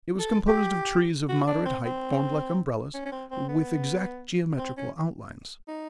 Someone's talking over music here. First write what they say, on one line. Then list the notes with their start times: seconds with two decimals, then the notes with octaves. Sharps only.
It was composed of trees of moderate height, formed like umbrellas, with exact geometrical outlines.
0.19 A4
0.48 G4
1.29 F#4
1.47 D4
1.66 C4
1.85 C4
2.94 C#4
3.05 C#4
3.12 C4
3.31 C4
3.49 B3
4.58 C4
4.77 C#4
5.68 D#4